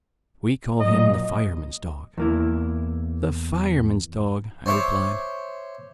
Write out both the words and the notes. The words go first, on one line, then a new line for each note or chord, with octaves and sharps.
We call him the firemen's dog.' 'The firemen's dog!' I replied.
A#2 F3 F#3 D#5
E2 A#3 E4
C5 C#5 E5 D6